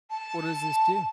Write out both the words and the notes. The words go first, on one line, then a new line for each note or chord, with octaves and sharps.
What does this do?
A5